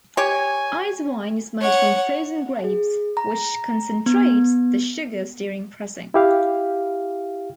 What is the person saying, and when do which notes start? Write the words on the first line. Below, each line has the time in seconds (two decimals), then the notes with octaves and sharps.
Ice wine is made from frozen grapes, which concentrates the sugars during pressing.
0.17 G4 C#5 G#5
1.61 C#5 F#5
2.64 G#4
3.17 A#5
4.06 B3
6.14 E4 G4 F5